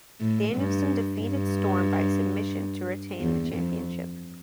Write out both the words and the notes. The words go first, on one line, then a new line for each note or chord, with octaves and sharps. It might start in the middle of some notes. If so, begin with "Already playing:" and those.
Danielson defeated Storm by submission to retain the championship.
A2
G2
G2
E2
F2